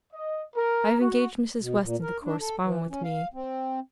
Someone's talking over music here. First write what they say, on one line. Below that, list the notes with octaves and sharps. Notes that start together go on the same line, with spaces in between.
I have engaged Mrs. Weston to correspond with me.
D#5
A#4
F#4
B2
A#2
A#4
D4
A4
E3
C#4
F5
C4